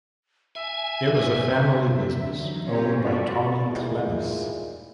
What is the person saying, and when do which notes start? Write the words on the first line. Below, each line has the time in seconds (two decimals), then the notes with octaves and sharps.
It was a family business owned by Tommy Klemis.
0.55 E5 G#5
1.95 D3 E5
2.38 E3 F#3 D#4
2.68 C4 C#4 F4 G4 A#4 C#5
3.00 F4 F#4 A4 B4 D5
3.58 D#2 A#2 G#3 E4 G#4 D#5